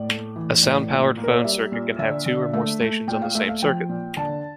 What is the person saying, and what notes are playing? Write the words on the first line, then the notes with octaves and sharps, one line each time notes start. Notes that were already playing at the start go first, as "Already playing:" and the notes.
A sound-powered phone circuit can have two or more stations on the same circuit.
Already playing: A2 D5
A3
E3
A2
A#2
A#3
A#4
C#5
D5
G3 E5
A#2
D3 E5
D3
A3 E5
A3
A#2 G5
F5
A3 E5
F5
F3 G5
A#2
D3 A5